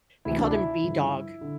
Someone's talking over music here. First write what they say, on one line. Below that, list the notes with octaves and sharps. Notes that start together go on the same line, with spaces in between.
We called him B-Dog,
D2 C3 E3 E4
D4
E4
G2 D3 F3
D3